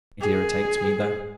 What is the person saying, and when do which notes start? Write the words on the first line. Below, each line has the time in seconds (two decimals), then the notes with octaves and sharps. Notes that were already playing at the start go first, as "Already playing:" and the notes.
It irritates me though.
0.21 G#4